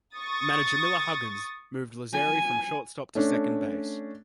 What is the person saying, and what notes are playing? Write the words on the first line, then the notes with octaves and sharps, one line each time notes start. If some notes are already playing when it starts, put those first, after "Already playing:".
Manager Miller Huggins moved Lazzeri from shortstop to second base.
C#6 D#6 A6
G#5
A3 C#4 D4